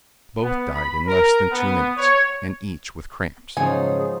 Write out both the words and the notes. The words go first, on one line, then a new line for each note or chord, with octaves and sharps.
Both died in less than two minutes, and each with cramps.
B3
B5
A#4
B3
C#5
G#2 C#3 F3 F#3 D#4 G#4 G#5